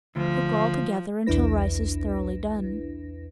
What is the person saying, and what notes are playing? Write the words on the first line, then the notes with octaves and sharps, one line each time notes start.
Cook all together until rice is thoroughly done.
D2 F3
B1 E2 D4 E4 B4 A#6